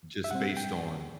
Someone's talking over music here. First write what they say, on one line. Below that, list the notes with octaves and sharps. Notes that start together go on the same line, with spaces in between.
just based on
E5
B2 G3 C4 F#5
G5